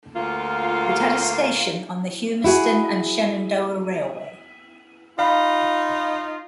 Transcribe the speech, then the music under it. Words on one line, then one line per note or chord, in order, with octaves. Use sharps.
It had a station on the Humeston and Shenandoah Railway.
D2 A#3 F4
E4 F#4 G#4
D#4 F4 F5 B5